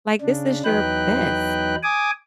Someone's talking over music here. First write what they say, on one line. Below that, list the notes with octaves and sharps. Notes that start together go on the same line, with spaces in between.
Like, this is your best
C#3 D4
E2 F#3 D#4 B4 G5 F#6
G#5 D6 D#6